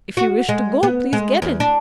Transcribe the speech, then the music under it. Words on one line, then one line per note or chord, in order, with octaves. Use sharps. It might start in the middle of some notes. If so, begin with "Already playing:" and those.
"If you wish to go, please get in."
F#4
G#3
B3
G#3
E2
D4